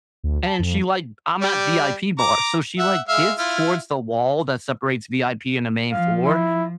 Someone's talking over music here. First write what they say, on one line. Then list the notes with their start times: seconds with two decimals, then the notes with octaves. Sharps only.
And she like I'm at VIP bars. So, she, like, gets towards the wall that separates VIP and the main floor.
0.23 D2
0.44 A5
0.59 F2
1.41 G3 D5
2.19 A#5 D6
2.78 E5 F#5
3.08 G#3 E5 F5
3.39 E4 F4 F6
5.92 F3 F5
6.25 E4